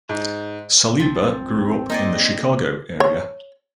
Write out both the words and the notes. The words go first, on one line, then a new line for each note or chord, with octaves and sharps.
Saliba grew up in the Chicago area.
G#2
C2 F3 C4 A6
A#3 D#4 G#4 D5 D#5
C#5